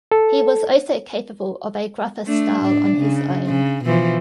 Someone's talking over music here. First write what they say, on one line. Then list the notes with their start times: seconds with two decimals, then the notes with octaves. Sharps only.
He was also capable of a gruffer style on his own.
0.12 A4
2.27 A3 D4
2.62 A2 D4
2.96 C#3
3.47 C#3
3.84 B2 E3 F3